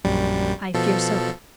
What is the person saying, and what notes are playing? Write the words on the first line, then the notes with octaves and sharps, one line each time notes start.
"I fear so."
A#1 F#2 G3
B2 F3 A4